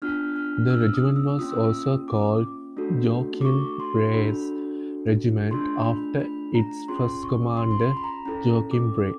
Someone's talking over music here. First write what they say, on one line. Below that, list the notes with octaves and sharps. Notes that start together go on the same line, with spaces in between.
The regiment was also called Joakim Brahes regemente after its first commander Joakim Brahe.
B3 D4 F4 F6
F6
F6
E6
D#6
E6
A#3 C#4 F4 D#6
E6
D#6
D6
A3 D4 F#4 A4
D6
C#6
C6
D4 F#4 A4 B5
A3 D4 F4 G#4 C6
B5
B5
A#5
C#4 F4 G#4 C6
C#6
C6
C6
B5
B5
A#5
C#4 E4 A4 A#5
D6